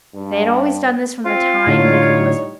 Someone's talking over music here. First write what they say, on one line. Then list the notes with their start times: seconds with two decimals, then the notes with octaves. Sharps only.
They had always done this from the time they could lisp...
0.14 G2
1.26 C4 F4
1.67 A2 D3 G3 D#4 C#5